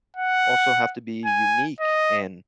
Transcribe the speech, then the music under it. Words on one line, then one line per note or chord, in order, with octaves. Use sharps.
also have to be unique, and
F#5
G#5
D#5